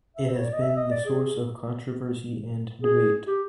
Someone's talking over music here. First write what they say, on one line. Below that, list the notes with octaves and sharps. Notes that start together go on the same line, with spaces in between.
It has been the source of controversy and debate.
E5
C5
C#5
D5
D#5
E5
D#5
D5
G#4
G#4
G4